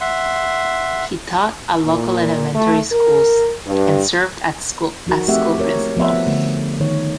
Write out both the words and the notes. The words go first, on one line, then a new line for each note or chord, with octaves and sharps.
He taught at local elementary schools and served as a school principal.
E5 F#5 C6
A#2
A3
A#4
G2
F3 D#4 F#4 A#4
A3 C4 G4 G#4 E5 F#5
C4 A#4 C#5
F3 B3 E5 F#5
D3 A3
D#3 C#5